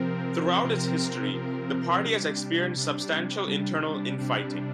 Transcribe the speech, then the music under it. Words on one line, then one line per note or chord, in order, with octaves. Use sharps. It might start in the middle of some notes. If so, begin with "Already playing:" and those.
Throughout its history, the party has experienced substantial internal infighting.
Already playing: C3 F3 C4 A#4
C3 F3 C4 A#4
C3 F3 C4 A#4
C3 G3 D4
C3 G3 D4
C3 G3 D4
C3 G3 D4